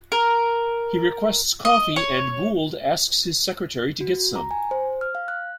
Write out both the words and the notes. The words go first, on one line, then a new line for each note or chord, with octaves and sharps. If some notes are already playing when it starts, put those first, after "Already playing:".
He requests coffee and Gould asks his secretary to get some.
A#4
D#5
C#5
F#4
A#5
G#5
C5
F6
F5
F#6